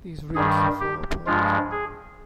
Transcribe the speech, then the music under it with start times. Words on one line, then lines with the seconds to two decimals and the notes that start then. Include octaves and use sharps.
These roots are far apart.
0.35 G2 D#3 G3 G#4
0.81 G4
1.26 G2 F3 G#3 F4
1.71 G#4